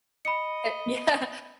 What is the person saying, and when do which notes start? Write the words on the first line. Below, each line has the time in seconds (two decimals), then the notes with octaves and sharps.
Eh yeah,
0.25 D#5 B5 C#7